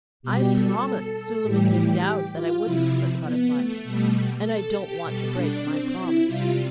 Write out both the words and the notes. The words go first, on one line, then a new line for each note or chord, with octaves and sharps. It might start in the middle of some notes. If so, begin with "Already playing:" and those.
'I promised Suleiman-bin-Daoud that I wouldn't,' said the Butterfly, 'and I don't want to break my promise.'
B2 G3 G4
A4
A4
A2 E3 G3 G4
F4
C3 F3 E4
B3
A3
B2 G3
A4
G4
B2 G3 A4
D4
C4
E4
C3 G3 F4